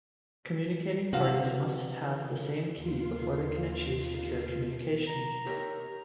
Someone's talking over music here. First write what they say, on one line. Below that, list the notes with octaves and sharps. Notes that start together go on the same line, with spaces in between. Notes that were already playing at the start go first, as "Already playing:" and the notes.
Communicating parties must have the same key before they can achieve secure communication.
C3 E3 F#4 F5
D#2 F4 C7
A#5
G4 A#4 C#5